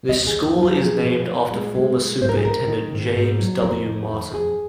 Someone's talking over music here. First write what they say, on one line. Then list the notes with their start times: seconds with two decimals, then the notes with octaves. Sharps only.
The school is named after former Superintendent James W. Martin.
0.09 D#2 D#5
0.27 G#4
0.33 D#2
0.45 F4
0.56 F#3
0.63 F4
0.79 F3 G#4
1.03 A#2
1.27 A#2
1.51 G#3
1.75 G#3
1.97 G#3
2.21 G#2 C5
2.29 A#4
2.37 G#4
2.45 D#3 A#4
2.68 D#3
2.93 G#2
3.15 G#2
3.39 F#3
3.62 F2 A#4
3.86 D#3
4.09 F2
4.33 F2 G#4